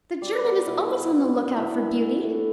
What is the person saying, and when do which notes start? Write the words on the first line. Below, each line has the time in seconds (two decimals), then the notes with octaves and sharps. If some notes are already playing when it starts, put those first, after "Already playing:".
The German is always on the lookout for beauty.
0.22 G3 D5
0.44 B3 B4
0.67 B2 E4
0.89 B2
1.11 B3
1.34 D4
1.56 E3 E4
1.78 E3
2.01 E3
2.23 A3